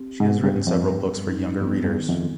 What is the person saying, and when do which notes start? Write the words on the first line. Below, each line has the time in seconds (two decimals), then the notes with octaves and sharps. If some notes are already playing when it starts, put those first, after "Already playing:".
She has written several books for younger readers.
Already playing: C4 G4
0.20 G#2 B3
0.44 G2
0.55 G3
0.67 F2
0.90 G2 G3
1.26 D#4
1.61 F2 B3
1.85 G2
1.97 D#3
2.09 F2